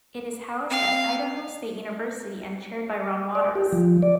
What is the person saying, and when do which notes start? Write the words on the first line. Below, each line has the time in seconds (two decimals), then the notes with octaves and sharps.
It is housed at Idaho State University and chaired by Ron Watters.
0.70 C4 F5
3.35 D5
3.55 G4
3.73 F3
4.02 D5